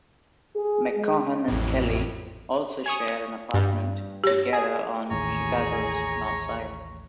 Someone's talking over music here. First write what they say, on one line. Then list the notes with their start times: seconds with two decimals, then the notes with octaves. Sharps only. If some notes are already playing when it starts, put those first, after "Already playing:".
McCaughan and Kelly also shared an apartment together on Chicago's north side.
0.56 G#4
0.97 G#3
1.48 A1 F2 A2
2.86 G#5 C#6 D#6
3.54 G2
4.24 G4 C#5
4.53 G#4
5.11 A1 D#2 A2 G#4 C#5 G#5 A#5